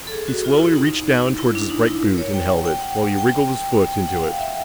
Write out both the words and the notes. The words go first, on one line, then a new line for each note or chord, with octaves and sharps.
He slowly reached down toward his right boot and held it, while he wriggled his foot into it.
A4
G#4
F#4
F4
E4
D#4
E4
D4
D#4
E4
A#4
C#5
G5
F#5
G5
F#5
F#5
G5
G5
F#5
F5
E5